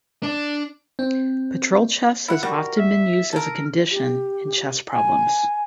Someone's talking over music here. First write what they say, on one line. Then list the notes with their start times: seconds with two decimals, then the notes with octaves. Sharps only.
Patrol chess has often been used as a condition in chess problems.
0.23 D4
0.99 C4
2.28 E4 F#5
2.43 G3 F#4 A#4
2.79 E5
3.33 A4 A#4
3.91 G4
4.92 G#5